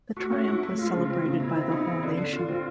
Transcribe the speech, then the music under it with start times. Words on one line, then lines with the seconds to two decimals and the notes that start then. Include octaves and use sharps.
The triumph was celebrated by the whole nation.
0.16 A3 F#4
0.32 C#4
0.48 E4
0.63 A3
0.78 G#3 F4
0.94 C#3
1.10 C4
1.25 C#3
1.40 B2 E4
1.56 C4
1.72 D#4
1.87 C4
2.03 D3
2.17 D3
2.33 D3 F4
2.49 C4 F4